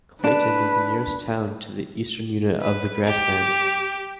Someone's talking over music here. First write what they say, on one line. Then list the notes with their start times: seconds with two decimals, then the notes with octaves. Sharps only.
Clayton is the nearest town to the eastern unit of the Grassland.
0.24 D4 B4
2.60 B4
3.05 G4